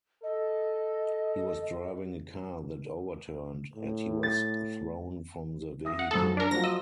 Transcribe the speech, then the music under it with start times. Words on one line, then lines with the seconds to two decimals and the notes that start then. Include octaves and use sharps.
He was driving a car that overturned, and he was thrown from the vehicle.
0.23 A4 D#5
3.75 A2
4.23 A6
5.85 E5 D#6 A#6
5.99 F#5
6.11 F#2 F3 A4 A5 D#6
6.37 D4 A#4
6.51 F3 F#3 F4 A#6
6.63 D#5 E6